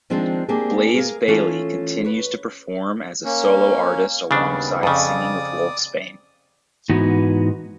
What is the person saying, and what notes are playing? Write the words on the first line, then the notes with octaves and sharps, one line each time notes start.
Blaze Bayley continues to perform as a solo artist alongside singing with Wolfsbane.
D#3 F3 G#3 C4 D4
A#3 C4 D4 G4 G#4
G#4 A#4 C5 F5
E3 A3 C#4 F4 A4 C#5
B4 C#5
A#3 C#4
D#2 C#3 G3 B3 D4
F2 C#3 D5 D#6
G#2 E3 B3 D#4 F#4